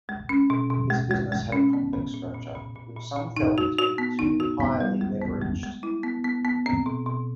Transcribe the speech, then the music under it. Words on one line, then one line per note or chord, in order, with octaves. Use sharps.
His business had a complex structure which some felt to be too highly leveraged.
G#3
C#4
B2
B2
G#3
G#3
G#3
C#4
B3
A#2
A#2
A#2
A#2
A#2
A#2
A#2
D#4
F#4
F#4
B3
D#4
F#4
B3
G3
G#3
B3
G#3
G#3
E4
B3
B3
B3
C4
B2
B2